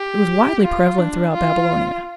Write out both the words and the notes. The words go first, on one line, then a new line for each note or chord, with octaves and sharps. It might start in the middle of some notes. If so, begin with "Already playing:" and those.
It was widely prevalent throughout Babylonia.
Already playing: G4
F4
D4
F4